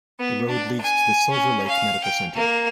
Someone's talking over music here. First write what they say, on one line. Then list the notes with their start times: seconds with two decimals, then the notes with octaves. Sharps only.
The road leads to the Silver Lake Medical Center.
0.19 B3
0.49 D4
0.81 G#5
1.31 C#4
1.67 F5
2.04 G5
2.35 A#3